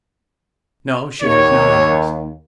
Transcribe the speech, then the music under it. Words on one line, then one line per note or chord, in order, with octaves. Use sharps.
No, she had no enemies.
D#2 C#5